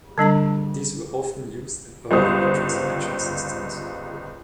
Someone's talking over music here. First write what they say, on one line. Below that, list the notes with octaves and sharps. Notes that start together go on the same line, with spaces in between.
These were often used in early matrix-matching systems.
D3 G3 D4 A#5
G1 C#2 G3 C5 D#6